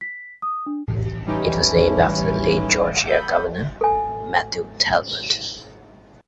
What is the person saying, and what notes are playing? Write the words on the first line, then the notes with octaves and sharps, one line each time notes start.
It was named after the late Georgia governor Matthew Talbot.
B6
D#6
D4
E3 G3 C#4 D#4 E4 G4
A4 B5 D#6 G6
A4 G#5